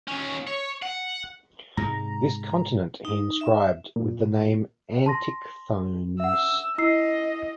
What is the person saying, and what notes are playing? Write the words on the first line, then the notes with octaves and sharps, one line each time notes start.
This continent he inscribed with the name Antichthones.
D#2 C#4
C#5
F#5
G#2 C3 G#3 A#5
D#4
E5
A#2
A5 C6 A#6
E5 F#5 E6
E4 D#5 E6 C7